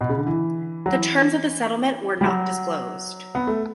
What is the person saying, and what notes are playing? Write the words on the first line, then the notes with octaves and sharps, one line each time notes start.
The terms of the settlement were not disclosed.
B2
C#3
D3
E3
F#3
E3
G3
F#3
B3
A3